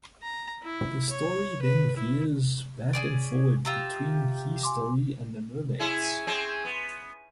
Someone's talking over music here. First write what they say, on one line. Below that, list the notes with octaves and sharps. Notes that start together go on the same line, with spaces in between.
The story then veers back and forward between his story and the mermaid's.
A#5
E4
C#5
B4
E4
C#4 G#4 D5
F4 G4 E5 A#5
G#5 C6 D6
C#4 E4 G#4
C4 C#4 G#4
B3